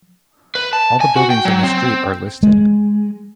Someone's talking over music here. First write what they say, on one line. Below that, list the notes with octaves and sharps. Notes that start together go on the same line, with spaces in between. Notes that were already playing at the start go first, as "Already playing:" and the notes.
All the buildings on the street are listed.
B4
A5
G#5
F#4
G5
F#3
C4
G#3